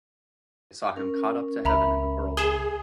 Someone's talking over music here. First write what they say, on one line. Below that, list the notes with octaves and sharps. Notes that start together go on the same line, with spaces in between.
They saw him caught up to heaven in a whirlwind.
C#4 A#4
C#2 E5 A#5 B5
G#4 E7 G7